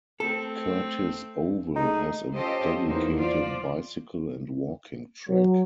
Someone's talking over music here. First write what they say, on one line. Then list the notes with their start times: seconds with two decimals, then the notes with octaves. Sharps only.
Curtis Oval has a dedicated bicycle and walking track.
0.20 A3 C4 A4
1.76 A3 D#4 G#4
2.33 C#4 F4 G4 A4 C5 D#5
2.86 E2 A#3 D#4 C5
3.16 F3 F4 C5 D5
5.28 F#3